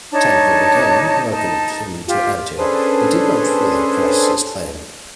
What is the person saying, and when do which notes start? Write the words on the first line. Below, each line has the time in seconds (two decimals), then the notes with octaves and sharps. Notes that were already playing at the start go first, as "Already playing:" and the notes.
Tancred again welcomed him to Antioch but did not further press his claim.
0.12 D4 D#4 C#5 A5
1.32 D#4 A5
2.07 F4 G4
2.58 C#4 D4 G#4 A4 B4 C5